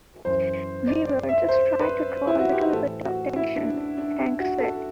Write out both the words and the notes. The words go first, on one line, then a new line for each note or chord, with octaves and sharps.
"We were just trying to draw a little bit of attention," Hank said.
F#2 E3 C5
D5
D5
E5
C5
B4
E4
F#4
G4
A2 E3 A4
F#4
E4
D4
D4
D4
F#4
A4